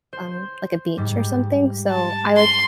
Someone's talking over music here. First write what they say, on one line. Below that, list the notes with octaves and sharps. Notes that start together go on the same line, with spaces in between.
have um, like, a beach or something, so I like
C5
G#2 G3
A5
C6